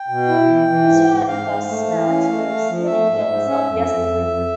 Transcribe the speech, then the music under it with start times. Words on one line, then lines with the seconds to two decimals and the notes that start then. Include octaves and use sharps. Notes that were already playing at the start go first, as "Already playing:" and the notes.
Return with us now to those thrilling days of yesteryear!
Already playing: G5
0.08 B2
0.29 E4
0.47 E3
0.68 E3
0.88 G#2
1.07 G#2
1.27 G#2 F5
1.47 G#2
1.67 A3
1.87 E3
2.07 C#4
2.27 A3
2.47 A3
2.67 F3
2.86 A3 E5
3.07 G#2
3.26 G#2
3.47 C#4
3.66 F2
3.87 F2
4.06 F2
4.26 F2